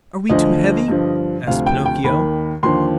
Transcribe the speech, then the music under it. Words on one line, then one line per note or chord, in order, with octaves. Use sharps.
"Are we too heavy?" asked Pinocchio.
D2 D3 F3 D#5
G2 D3 F3
D2 C3 F3 F5
G5
G5
D#2 D#3 B5
D#2 D3 F3 C6